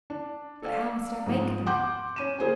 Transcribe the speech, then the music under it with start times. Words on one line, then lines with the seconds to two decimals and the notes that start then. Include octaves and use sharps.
'But how must I make them know?
0.10 D4
0.62 A4 D5 F5
1.26 G#2 F3
1.66 F#5 C6 D6 G6
2.16 C#4 D#7 E7
2.39 A#3 G#4 C5 G#5